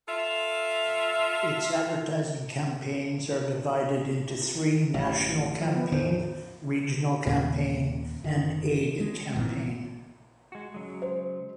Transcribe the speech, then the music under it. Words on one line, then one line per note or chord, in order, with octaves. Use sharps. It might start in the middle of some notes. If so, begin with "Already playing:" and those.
Its advertising campaigns are divided into three; national campaign, regional campaign and aid campaign.
F4 A4 E5
A1 F#2
F3
B3
E2 A2 C#3 C5
D#2 A#2 A#3
F#1 D#3
G#3
G1 A#2 E3 C4
G#3 F#4
C#3 F#3 G#3
C5